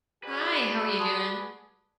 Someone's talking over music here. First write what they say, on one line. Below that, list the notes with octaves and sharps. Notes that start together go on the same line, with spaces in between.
Hi, how are you doing?
F#4 G#4 B4 D5
A5 C6 D#6